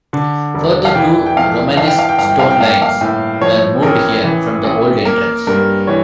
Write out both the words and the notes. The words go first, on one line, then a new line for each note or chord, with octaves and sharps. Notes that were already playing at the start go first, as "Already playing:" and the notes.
Further, two Romanesque stone lions were moved here from the old entrance.
D3
E1
F5
E3 G5
G5
F2 F5
E3 F5
G5
F5
G5
G1 F5
G5
F5
G5
A#3 F5
G5
F5
A2
F3 C#5
A1 A#4
E3
A1
A#3 A#4
G2 A#4
E3 C#5